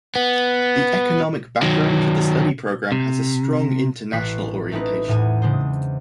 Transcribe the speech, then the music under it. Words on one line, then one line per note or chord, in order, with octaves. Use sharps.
The economic background to the study program has a strong international orientation.
B3
D#3 F#3
C3
A1 C#6 F#6 B6 C7
A3 C4 C#4 D#4 B4
E2 A2 G#5
C#3 G#3 D4 C5